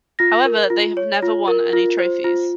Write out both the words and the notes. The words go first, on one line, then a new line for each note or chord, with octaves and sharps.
However, they have never won any trophies.
F4 A#6
A#4
F4
C#5
F4
A#4
F4
C5
F4